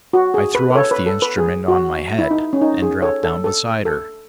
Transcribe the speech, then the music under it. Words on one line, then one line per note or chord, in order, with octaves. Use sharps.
I threw off the instrument on my head, and dropped down beside her.
F#4
G#4
B4
B4
A4 C#5
B4
A4
B4
G#4
F#4
E4
D#4
C#4
D#4
G#4
A4 C#5
A4
A4
A4